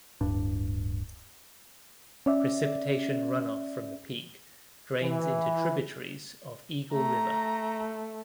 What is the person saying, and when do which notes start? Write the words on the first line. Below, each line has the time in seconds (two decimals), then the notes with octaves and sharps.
Precipitation runoff from the peak drains into tributaries of Eagle River.
0.21 D1 G2 D4
2.26 C#4 D5 E5
5.01 E3
6.93 A3 A#5